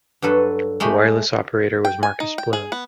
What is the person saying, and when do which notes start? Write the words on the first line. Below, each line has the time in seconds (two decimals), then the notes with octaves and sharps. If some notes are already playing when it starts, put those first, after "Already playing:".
The wireless operator was Marcus Bloom.
0.22 G2 F#3 A4 B4
0.80 G#3 A3 G4 B5
1.85 G5
2.03 G#5
2.20 D#4
2.38 G5
2.53 G#4
2.72 B3